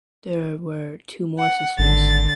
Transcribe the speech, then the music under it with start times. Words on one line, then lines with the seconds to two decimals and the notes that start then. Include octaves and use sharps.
There were two more sisters.
1.38 F#5
1.79 G#1 D3 A6